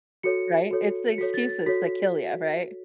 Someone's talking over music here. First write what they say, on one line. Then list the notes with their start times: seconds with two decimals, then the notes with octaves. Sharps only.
right? It's the excuses that kill you, right?
0.23 F#4 A4 C#5 C#7
0.71 F#4 A4 C#5
1.09 C#7
1.18 F#4 A4 C#5 B6
1.34 A6
1.49 A6
1.66 F#4 A4 C#5 B6